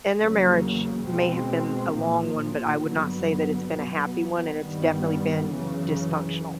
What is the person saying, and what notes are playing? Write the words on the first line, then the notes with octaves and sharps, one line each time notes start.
And their marriage may have been a long one, but I would not say that it's been a happy one, and it's definitely been dysfunctional.
E2 C#3 F#3 A#3
B2 G#3 C4
A#2 F3 A#3
G2 D3 F#3 B3
B2 F#3 B3
G2 D#3 G3 B3
F#2 C#3 E3